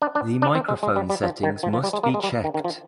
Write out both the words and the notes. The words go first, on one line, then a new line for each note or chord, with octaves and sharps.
The microphone settings must be checked.
D4
D4
D4
C4
G#3
G#3
G3
G3
F3
D#3
F3
F3
G3
G#3
A#3
G#3
G3
D#3
D#3
F3